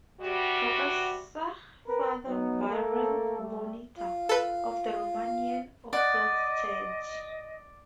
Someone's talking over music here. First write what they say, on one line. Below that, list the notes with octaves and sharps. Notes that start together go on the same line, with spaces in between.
Professor Father Viorel Ionita, of the Romanian Orthodox Church.
C3 G3 F#4
C4 A#4 B4
F#3 B3 D#4
A3 A#3 A4
G3 A3
F4
A4 B4
D5 D#5 F#5